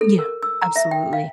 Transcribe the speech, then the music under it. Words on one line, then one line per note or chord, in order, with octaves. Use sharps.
Yeah. Absolutely.
A4
A#4
E6
A#5
E5
G5
F5